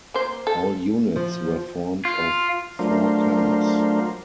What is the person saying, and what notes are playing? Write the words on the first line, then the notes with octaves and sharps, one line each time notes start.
All units were formed of four cars.
A#3 C5
A4
F3
F4
F#3 A3 D4 F4 A#4 C5